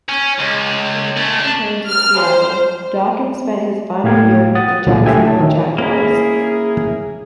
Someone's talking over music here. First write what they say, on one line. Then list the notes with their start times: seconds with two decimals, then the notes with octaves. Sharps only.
After two campaigns with Seattle, Dawkins spent his final year with the Jacksonville Jaguars.
0.09 C#4
0.39 C#2
1.17 A3 C#4
1.39 D4
1.90 F6
2.19 C5
4.04 A2 G4 F5 G5 G#6
4.55 F#5 D#6 A6
4.87 C#2 A#2 D3 F#3 D4 G#4
5.06 A3 E4 G4 E5 G5 G#5
5.28 A5
5.41 D#3
5.78 A#3 C#4 E4 G#4